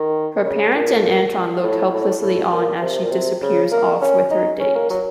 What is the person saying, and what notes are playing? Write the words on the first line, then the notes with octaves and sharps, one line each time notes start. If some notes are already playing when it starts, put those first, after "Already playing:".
Her parents and Antoine look helplessly on as she disappears off with her date.
Already playing: D#3
C#3
A#2
A2
A2
A2
A#2
C3
A#2
C3
C#3
A#3
C#4
D#4
C#4
A#3
F#3